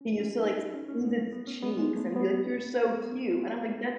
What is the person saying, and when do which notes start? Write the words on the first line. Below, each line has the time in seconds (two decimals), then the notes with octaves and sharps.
He used to, like, squeeze its cheeks and be like, "You're so cute," and I'm like, "That
0.01 C#4
0.20 C#4
0.39 D#4
0.59 E4
0.74 C#4
0.88 C#4
1.03 B3
1.18 A3
1.33 B3
1.47 C#4
1.62 B3
1.77 G#3
1.96 A3
2.16 B3
2.94 B3